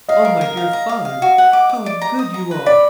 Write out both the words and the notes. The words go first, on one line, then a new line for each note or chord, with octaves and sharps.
Oh, my dear Father, how good you are!
D#5 F5
A#4
A#4
F5
A#5
F5
F5
F#4
F#5
D6
D6
D5
A#5
D#6
A#5
B4
D5 B5